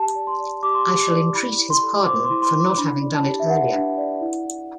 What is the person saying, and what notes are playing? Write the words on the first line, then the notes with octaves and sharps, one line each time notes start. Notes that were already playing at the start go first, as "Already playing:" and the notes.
I shall entreat his pardon for not having done it earlier.
Already playing: G4 A5
D5
C6
D5
G4 D6
C6
G4 D6
D6
D5
E4 B5
E4
C6
A4
C5 D6
C6
E4
C6
E4
D6
D4 B5
D5
A5
G4
E5
B4 F#5
D4
D5
E4
E4